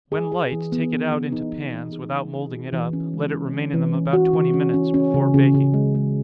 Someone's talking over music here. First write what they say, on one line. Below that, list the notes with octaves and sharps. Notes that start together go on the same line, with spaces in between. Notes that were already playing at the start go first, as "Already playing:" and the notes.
When light, take it out into pans, without moulding it up--let it remain in them about twenty minutes, before baking.
G#4
G#4
E3
B3
B3
B3
D#4
B3
E3
G#4
E3
G#4
F#4
E3
C#4
G#3
C#4
C#4
E3
C#4
F#4
E3
C#4
C#4
C#4
C#3
C#3
C#3
G#3
G#3